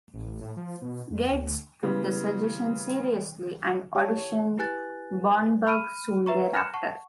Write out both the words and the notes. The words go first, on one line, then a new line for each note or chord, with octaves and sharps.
Getz took the suggestion seriously, and auditioned Bromberg soon thereafter.
A1
A2
F3
B2
F2
D2
C#3 E3 G3 G#3 B3
G4 C#5 F5 A5
E4 C#5
E4 G4 B4 G#5 F#6 A6
B5 F6 D7 D#7
B4 E5 A#5 C#6
F6 F#6 A#6 C#7 E7
F#5 A5 C#6